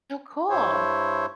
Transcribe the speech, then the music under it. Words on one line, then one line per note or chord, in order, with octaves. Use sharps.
Oh, cool.
G2 E4 C5 C#5